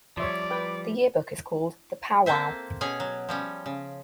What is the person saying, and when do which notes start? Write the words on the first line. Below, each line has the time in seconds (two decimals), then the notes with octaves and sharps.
The yearbook is called the "Powwow".
0.17 F3 G3 C#5 D5 E5 C6
0.51 B4 G5
2.26 A#3 C4 A4 C5 E5
2.81 B2 C#4 G#4 C#5 G#5
3.00 F#3
3.29 F3 G3 C#4
3.66 C#3